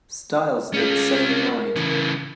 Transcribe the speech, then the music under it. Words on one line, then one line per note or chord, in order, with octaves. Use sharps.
Styles that same night.
C#4 F4 G#4
A#4
C#3 E3